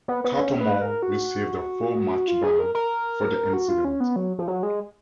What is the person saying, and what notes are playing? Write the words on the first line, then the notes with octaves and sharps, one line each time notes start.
Cattermole received a four-match ban for the incident.
B3
B3
C#4
B4
A#4
F#4
F4
G#4
A#4
A#4
F#4
F4
C#4
B3
F#3
F3
F#3
G#3